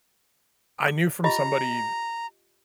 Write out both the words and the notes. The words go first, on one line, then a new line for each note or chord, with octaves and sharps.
I knew from somebody,
D6
F4 G4 D#5 A#5